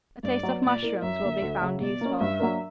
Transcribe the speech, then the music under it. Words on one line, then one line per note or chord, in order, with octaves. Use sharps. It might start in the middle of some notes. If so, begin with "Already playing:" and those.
A taste of mushrooms will be found useful.
G2 D5
F#3 B3
A#2 D5
A#3 E4 A#4
F#2 E5
D3 A#3
D2
C#3 F#3
B2 D5
A#3 C#4
G2 E5
F#3 A#3 D4 A#4